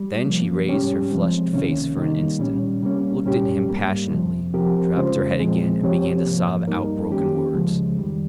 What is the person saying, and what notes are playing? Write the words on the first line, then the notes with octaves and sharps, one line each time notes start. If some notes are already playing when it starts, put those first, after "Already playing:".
Then she raised her flushed face for an instant, looked at him passionately, dropped her head again and began to sob out broken words.
Already playing: G3
C3 F3 A#3
G#2 G3 C#4 G4
C3 F3 G#3 C4
C2 C3 D#3 A#3 C#4
D#3 G3 A#3 D#4
A#2 G3 C#4
C3 G3 A#3 C#4
C2 A#2 G3 C#4 G4
G#2 G3 A#3
F2 C3 F3
F3 C4 G4 A#4
C#3 G#3 C#4 F4 C5
A#2 F3 G#3 C4
C3 F3 C4 G4 C#5
G#2 F3 A#3
G2 G3 A#3 D#4 A#4
D#3 A#3 C#4 G4
C#2 C#3 F3 G#3
F2 D#3 G3